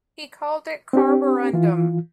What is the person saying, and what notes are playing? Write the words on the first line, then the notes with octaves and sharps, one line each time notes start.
He called it carborundum.
C4 D4 G4
E3 F4